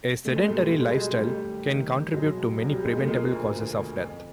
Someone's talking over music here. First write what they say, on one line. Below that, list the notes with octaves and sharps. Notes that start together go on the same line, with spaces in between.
A sedentary lifestyle can contribute to many preventable causes of death.
C#2 A3
G#3
B2 G3 A3
B2 A3
G#3
G3
C#2 F#3 G#3
D#2 G3 A3
D#2
D#3
D#3
B2 F#3 G#3
C2
C2 F#3
G3
B2 G#3
A3
F3 G#3 A#3
D2
D3
D3
F2